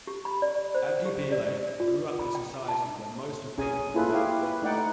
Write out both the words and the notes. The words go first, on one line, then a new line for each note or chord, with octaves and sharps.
Abdi Bile grew up in a society where most of people were nomadic.
G4
B5
D5
C5
G4
D5
F4
B5
G5
A5
C#4 G#4 G#5
A#3 E4 F4 G#4 A4 B4
E4 G4 C#5 F5
B4
A3 D#4 D5 F#5 G5